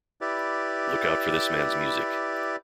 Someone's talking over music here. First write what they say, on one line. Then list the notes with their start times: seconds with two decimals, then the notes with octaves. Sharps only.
Look out for this man's music'.
0.21 E4 G4 B4 D5